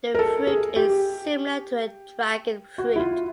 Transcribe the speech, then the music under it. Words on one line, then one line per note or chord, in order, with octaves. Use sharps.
The fruit is similar to a dragon fruit.
A#4
A4
G#4
G4
F#4
E4
F4